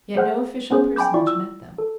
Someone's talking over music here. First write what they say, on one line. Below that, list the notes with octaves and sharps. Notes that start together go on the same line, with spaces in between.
Yet no official personage met them.
A3 G#4 C5 F#5 F6
B3 C#4 G#4 C5
G5 G#5 B5 D6 G6
E4 F4 D5 C#6
E6
A4